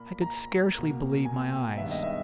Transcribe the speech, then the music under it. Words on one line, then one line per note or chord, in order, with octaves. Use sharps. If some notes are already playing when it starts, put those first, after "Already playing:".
I could scarcely believe my eyes.
Already playing: A#2 A#3 B5
A#5
B2 A#3
G#5
G5
G2 D#3 G#3 B3 E5
D#5
E5